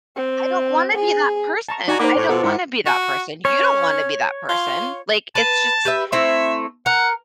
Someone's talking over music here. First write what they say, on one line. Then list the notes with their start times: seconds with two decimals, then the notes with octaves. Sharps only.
I don't wanna be that person. I don't wanna be that person, you don't wanna be that person, like, it's just
0.16 C4
0.95 G#4
1.69 A5 A#5 C#6
1.88 D#4 F#4 D5 G#5 A#5
2.00 A#3 C5 F#5 B5 D6
2.17 A2 C#5
2.29 B2 F4 A4 F#5
2.43 G#2 E4 A#4 F#5
2.86 F#4
3.45 C#4 C#5
4.49 F4
5.35 B4 A5
5.85 G4 B4 E5
6.12 A3 C4 E4 E5
6.86 A#4 F#5